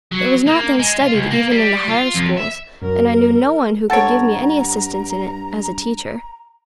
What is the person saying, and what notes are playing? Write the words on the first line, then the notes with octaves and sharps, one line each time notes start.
It was not then studied even in the higher schools, and I knew no one who could give me any assistance in it, as a teacher.
F#3
A#3
G#3
F4
C#2
A#3
G3
F4
F2
E5
F#2 A#4
G2 A4 C#5 F#5 A#5 A6 D7